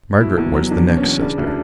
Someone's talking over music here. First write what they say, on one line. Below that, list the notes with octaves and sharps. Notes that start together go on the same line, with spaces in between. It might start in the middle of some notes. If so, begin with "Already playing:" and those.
Margaret was the next sister.
B2 E4
E2
F#3
E2 D4
B2
C#4
E2
C#3 D4
D2
D4